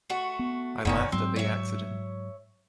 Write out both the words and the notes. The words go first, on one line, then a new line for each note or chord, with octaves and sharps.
I laughed at the accident.
A3 F#4
B3
F1 F#2 D3 D#3 B3 C#4
G#2 F#3 C4
C#5 E5